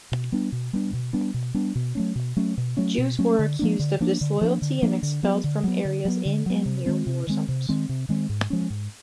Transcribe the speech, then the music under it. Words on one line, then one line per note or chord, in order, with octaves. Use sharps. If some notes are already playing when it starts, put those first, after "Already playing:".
Jews were accused of disloyalty and expelled from areas in and near war zones.
B2
G3 B3 D4
B2
G3 B3 D4
B2
G3 B3 D4
B2
G3 B3 D4
B2
F#3 A3 C#4
B2
F#3 A3 C#4
B2
F#3 A3 C#4
B2
F#3 A3 C#4
D3
F3 A#3 D4
D3
F3 A#3 D4
D3
F3 A#3 D4
D3
F3 A#3 D4
D3
F#3 B3
D3
F#3 B3
D3
F#3 B3
D3
F#3 B3
C3
D#3 G#3 C4
C3
D#3 G#3 C4
C3
D#3 G#3 C4
C3
D#3 G#3 C4
G#2
F3 G#3 C#4
G#2